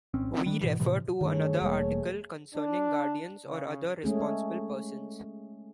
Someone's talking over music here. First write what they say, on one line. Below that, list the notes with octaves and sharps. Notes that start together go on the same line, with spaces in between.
We refer to another article concerning guardians or other responsible persons.
G#1 C4 C#4
C4
D#3 G3 D4
G#2 B2 E3
A2 C3 E3 F3
G2 D#3 A3 G#4 C#5
E1 G3 A#3
D4
C#3
G#3 A3 C#4 G#4